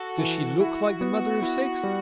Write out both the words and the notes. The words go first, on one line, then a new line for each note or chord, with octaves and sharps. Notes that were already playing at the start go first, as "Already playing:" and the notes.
'Does SHE look like the mother of six?'
Already playing: F#4 A4
E3
E4 F#4
B3
E4
G3